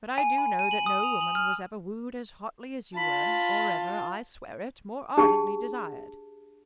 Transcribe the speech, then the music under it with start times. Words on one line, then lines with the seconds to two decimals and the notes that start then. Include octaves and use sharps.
But I do know that no woman was ever wooed as hotly as you were--or ever--I swear it--more ardently desired.
0.18 G#5
0.38 B5
0.59 D#7
0.71 F#7
0.86 D#6
1.03 F7
1.21 F#7
1.35 F6
2.97 F4 A5 B5
5.17 D4 G4 G#4 A5